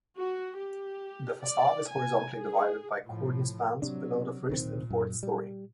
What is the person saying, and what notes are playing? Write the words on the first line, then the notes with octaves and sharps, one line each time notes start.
The facade is horizontally divided by cornice bands below the first and fourth storey.
F#4
G4
D5
G#5
G#4
A2 F3
C3 F#3 D4
D1 A#2 D#3 C4
F#2
G3